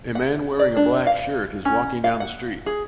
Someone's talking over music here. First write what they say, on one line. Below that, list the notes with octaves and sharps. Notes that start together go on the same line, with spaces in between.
A man wearing a black shirt is walking down the street.
F#5
D5
D4
F5
C#4
F5
F#5
G#4